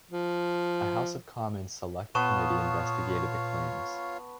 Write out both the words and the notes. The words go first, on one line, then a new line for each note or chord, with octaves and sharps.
A House of Commons select committee investigated the claims.
F3
A#2 B3 F4 C#5 F5 A5 C#6 E7